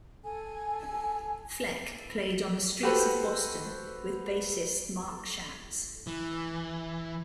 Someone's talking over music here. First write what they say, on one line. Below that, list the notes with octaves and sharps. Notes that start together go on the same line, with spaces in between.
Fleck played on the streets of Boston with bassist Mark Schatz.
A4 G#5
F#4 G4 A4 B4 C5
E3